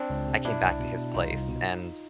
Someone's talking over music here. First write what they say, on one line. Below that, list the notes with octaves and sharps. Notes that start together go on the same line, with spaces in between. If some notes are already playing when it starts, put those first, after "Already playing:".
I came back to his place, and
Already playing: C4 D4
C#2
C3
B2 D4 E4
C2
B2
B2
C2 D#4 F4
C2
B2